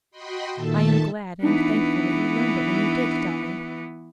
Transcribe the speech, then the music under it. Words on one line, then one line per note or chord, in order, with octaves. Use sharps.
"I am glad and thankful that you learned it when you did, Dolly."
F#4 D#5 G5 B5 C6
A#2 D#3 A4 E5 A5
E3 B3 D4 D#4